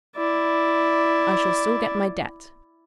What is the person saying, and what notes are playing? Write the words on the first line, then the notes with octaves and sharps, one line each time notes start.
I shall still get my debt.'
E4 D5